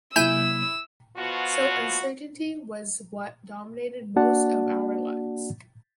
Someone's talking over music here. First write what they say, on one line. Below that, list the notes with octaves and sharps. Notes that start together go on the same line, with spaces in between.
So uncertainty was what dominated most of our lives.
C3 F#3 A#3 E4 G#5 E6 G6 E7
B2 F3 B3 F4 F#4
A#3 D4 F#4 D5 F#5 A5